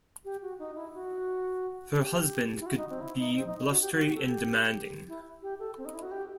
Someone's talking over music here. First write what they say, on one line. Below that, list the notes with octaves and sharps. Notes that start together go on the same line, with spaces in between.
Her husband could be blustery and demanding.
G4
F#4
D#4
E4
F#4
G4
E4
F#4
D#4
C4
E4
D#4
C4
D#4
F#4
G4
F#4
G4
A4
G4
E4
G4
A4
C4
D#4
E4
F#4
G4